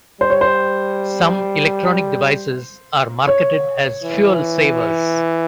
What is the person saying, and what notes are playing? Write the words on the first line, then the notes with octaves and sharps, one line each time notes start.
Some electronic devices are marketed as fuel savers.
G3 C5
C#5
C5
C#5
E3